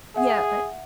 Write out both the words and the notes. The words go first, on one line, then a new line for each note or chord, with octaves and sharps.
Yeah, but
G#4 E5 F#5